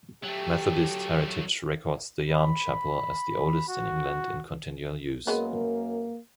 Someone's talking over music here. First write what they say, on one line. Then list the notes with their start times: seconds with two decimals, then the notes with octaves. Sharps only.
"Methodist Heritage" records the Yarm chapel as the oldest in England in continual use.
0.23 F#3 A3 G4
2.30 B5
3.69 F#4
5.27 F#2 G#3 A#3 B3